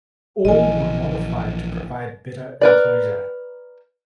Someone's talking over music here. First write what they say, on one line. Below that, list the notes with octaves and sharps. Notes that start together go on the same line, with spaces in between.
All were modified to provide better enclosure.
A#1 E3 D#5 G#5
A#4 B4 D5